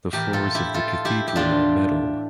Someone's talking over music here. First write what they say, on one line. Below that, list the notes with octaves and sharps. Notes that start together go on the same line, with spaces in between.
The floors of the cathedral are metal.
A2 E3 G4 A#4
F4 A4
E4 G4
F4 A4
E4 G4
G4
A2 E3 D4 F4